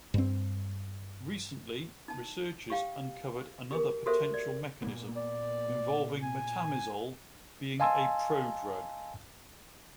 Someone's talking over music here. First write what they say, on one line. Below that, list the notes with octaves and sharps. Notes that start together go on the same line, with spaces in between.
Recently, researchers uncovered another potential mechanism involving metamizole being a prodrug.
G2 C4
D#4 A5
G4 F5 G5
G4 G#4 A#4
F#4 G4 A4 A#4 C5 E5
D5
A#2 A#3 B3
D5
G#5
D#5 F5 G#5 A5 C6 E6